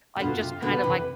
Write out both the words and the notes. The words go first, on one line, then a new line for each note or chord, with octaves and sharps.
Like, just kind of, like
C3
B2 D3 F4
C3
B2 D3 B4
C3 E3